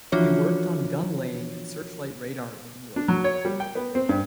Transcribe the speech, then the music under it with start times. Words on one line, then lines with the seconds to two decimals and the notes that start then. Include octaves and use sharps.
He worked on Gun Laying and Searchlight Radar in England.
0.12 E3 F3 D4 F4 F#4 C#5
2.96 D4
3.08 F#3
3.24 C#5
3.45 G3
3.60 G5
3.75 B3
3.95 C4
4.09 G2